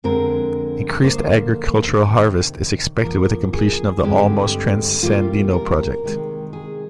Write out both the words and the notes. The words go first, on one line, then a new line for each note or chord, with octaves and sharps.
Increased agricultural harvest is expected with completion of the Olmos Transandino Project.
F2 D3 G#3 C4 A#4
D3 F3 A#3 C5
F2 C3 D#3
F2 D3 F3 A#3 A#4
G#4
G2 D3 G#3 C4 G4
C3 G3 A#3 F4
A#4
C3 D#3 G#3
G#4